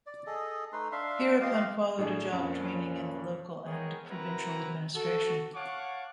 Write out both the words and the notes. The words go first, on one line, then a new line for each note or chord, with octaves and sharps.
Hereupon followed a job training in the local and provincial administration.
D5
G#4 A4 D#5
A3 D#4 B4 C6
D4 E5 F5 C6
F4 G4 D#5 F5
A2 D4 G#4
F2 A#2 F3 C#4
G#3 B3 G#4 A#4 C#5 G5
C4 E4 F#4 A#4 B4 A#5
F#4 A4
C#5 F5 F#5 A5 C#6 D6